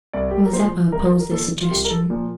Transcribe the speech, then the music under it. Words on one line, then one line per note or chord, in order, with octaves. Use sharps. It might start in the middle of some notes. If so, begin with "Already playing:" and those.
Mazeppa opposed this suggestion.
C2 D5
G4
A4
A#4
A#2 F3 C5
C2 A#4
A#4
A#2 F3 A4
F4
C2 G4
A#4
A4
A#2 F3